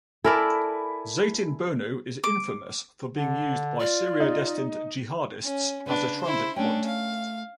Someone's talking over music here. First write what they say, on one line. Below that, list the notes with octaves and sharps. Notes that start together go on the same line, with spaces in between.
Zeytinburnu is infamous for being used by Syria destined jihadists as a transit point.
E4 A4 A#4 D5 G#5 B5
D6
D3
F4 D5
D#4
C#4
C#3 D4 B4
E4 C5
A3 C#4 D4 G5
F5